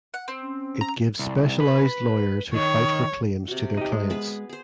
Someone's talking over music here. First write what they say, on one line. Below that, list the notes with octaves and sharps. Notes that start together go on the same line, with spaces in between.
It gives specialized lawyers who fight for claims to their clients.
F#5
C4
C#4
A#5
C2
B4
D#3 C#5
C3 F#4
D#4 G4
G#3
B3 G#4 B4
G#4 C5